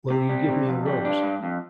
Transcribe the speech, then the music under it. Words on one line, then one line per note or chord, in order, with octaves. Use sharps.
Will you give me a rose?
C3
G3
C3
F2
G3
D4
G2
F2